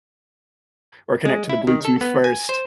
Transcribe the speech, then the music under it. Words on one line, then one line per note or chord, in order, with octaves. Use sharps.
or connect to the Bluetooth first,
G#3
E4
D#3
A4
B3
G#5
C5